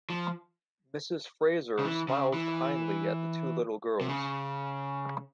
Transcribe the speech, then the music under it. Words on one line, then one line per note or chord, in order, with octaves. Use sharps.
Mrs. Fraser smiled kindly at the two little girls.
F3
C#3
E3
C#3
E3
C3
C#3